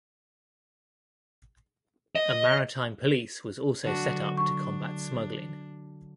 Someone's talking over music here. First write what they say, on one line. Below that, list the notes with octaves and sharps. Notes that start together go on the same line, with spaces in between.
A Maritime Police was also set up to combat smuggling.
D#5
D3 F#3 A3 D4 F#4
D4 C#6